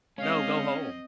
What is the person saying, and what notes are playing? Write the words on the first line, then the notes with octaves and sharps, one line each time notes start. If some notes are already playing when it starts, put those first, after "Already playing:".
"No, go home.
G#3 C4 C#4 D#5 F5